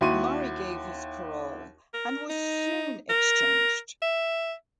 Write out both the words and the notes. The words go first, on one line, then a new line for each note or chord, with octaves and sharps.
Murray gave his parole, and was soon exchanged.
D#2 E4 F#4 C6 C#6 D#7
A#4
D#4
A#4
E5